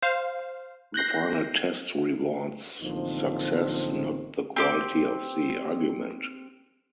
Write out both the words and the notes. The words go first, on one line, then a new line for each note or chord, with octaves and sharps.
The final test rewards success, not the quality of the argument.
C5 F5
F#6 G6 A#6 C7
A1 D3 F3 A#3 C4 D#4
C4 G4 D6